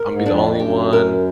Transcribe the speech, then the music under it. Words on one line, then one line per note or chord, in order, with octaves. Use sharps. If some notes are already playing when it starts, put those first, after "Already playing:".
I'll be the only one
Already playing: A#4
G#2
F2 D4
F#2 G4
A#4